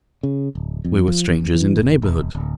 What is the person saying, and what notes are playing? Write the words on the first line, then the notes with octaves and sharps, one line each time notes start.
We were strangers in the neighbourhood.
C#3
D1
F2
F3
E2
E3
F#1
E1
D1